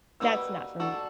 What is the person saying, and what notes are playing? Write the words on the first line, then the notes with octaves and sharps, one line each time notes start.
that's not for
G3 A#3 D#4 F#4 B4 E6
D4 F#4 A4 E6